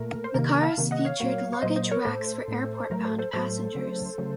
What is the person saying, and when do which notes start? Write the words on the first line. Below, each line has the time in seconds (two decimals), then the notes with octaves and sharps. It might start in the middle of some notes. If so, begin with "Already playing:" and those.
The cars featured luggage racks for airport-bound passengers.
Already playing: A#2 A3 A#4
0.24 C5
0.34 C3 D#3 A#3 A#4
0.49 A#4
0.63 F5 A5
0.78 C3 D#3 A#3
0.91 D#5 F#5
1.05 C#5 F5
1.20 A#2 F#3 A#3
1.53 C#5
1.62 A#2 F#3 A#3 C5 D#5
1.76 C5 D#5
1.91 A#4 C#5
2.05 A2 A3 A4 C5
2.48 A2 A3
2.84 A4
2.90 A2 F#3 A3 A#4
3.04 A4 C5
3.19 A4 C5
3.33 A2 F#3 A3 A4 C5
3.75 C#3 F#3 A3
4.18 C#3 F#3 A3